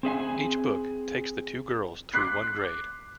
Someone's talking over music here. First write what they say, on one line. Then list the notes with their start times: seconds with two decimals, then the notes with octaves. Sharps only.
Each book takes the two girls through one grade.
0.03 C4 G#4 E5 G#5
2.14 C6 D6 F#6 B6 C7